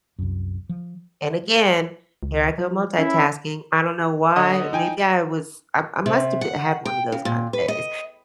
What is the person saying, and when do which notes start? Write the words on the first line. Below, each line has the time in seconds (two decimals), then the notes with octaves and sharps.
And again, here I go multitasking I don't know why, maybe I was I I must of b have had one of those kinda days,
0.19 C2 F#2
0.69 F3
2.23 C#2
2.58 F3
2.98 C#4 E4
4.36 D3 D#5 F#5 D#6
4.73 D#4 G5 G#5
6.06 C3
6.41 F#5
6.85 G5
7.12 C#3
7.25 A#2
7.53 B4
7.68 D#5